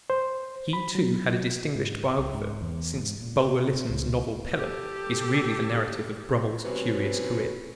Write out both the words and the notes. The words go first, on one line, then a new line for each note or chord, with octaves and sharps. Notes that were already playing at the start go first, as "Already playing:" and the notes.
He, too, had a distinguished biographer, since Bulwer-Lytton's novel Pelham is really the narrative of Brummel's curious career.
C5
B5
F#3
G#2
C2
G#2
E2
G#2
A#2
C3
C3
C#2
G4 A4
B2 F#3 C4 C#4 G4 B4